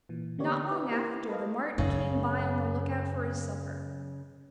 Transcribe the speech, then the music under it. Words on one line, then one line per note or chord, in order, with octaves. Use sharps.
Not long after the marten came by on the look out for his supper.
A#2 E3
D3 A#3 B3 G4 C#5 D5
D#4 E4 B4
A#3 E4 G4 A#4 C5
A4 B4 D#5 F5
F#2 C#3